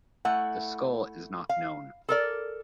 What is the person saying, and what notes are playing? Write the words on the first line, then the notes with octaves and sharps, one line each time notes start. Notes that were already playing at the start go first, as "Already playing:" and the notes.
The skull is not known.
A3 E4 F#5
F5
A4 A#4 D5